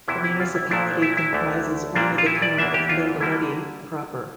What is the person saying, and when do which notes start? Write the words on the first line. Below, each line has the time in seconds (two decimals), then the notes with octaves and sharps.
The municipality comprises only the town of Lendelede proper.
0.08 E2 C3 E3 E4
0.24 E4
0.40 F4
0.55 E4
0.71 A#2 A3 D4 E4
1.02 E4
1.17 E4
1.33 D2 D3 A3
1.95 A#2 G3 A#3 D4
2.18 F4
2.26 E4
2.42 D5
2.58 E2 E3 A#3 D4 E5
2.74 G4
2.89 F4
3.20 D3 G3 A#3 E4